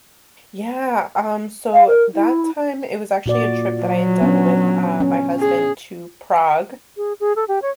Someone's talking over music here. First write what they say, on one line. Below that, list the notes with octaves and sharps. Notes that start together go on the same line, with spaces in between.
Yeah, um, so that time it was actually a trip that I had done with, uh, my husband to Prague,
F5
A#4
E4
A#2 F#4 D5
F#3
B3 C#4 D4
C#4
G#4
G#4
G#4
A4
G4
C#5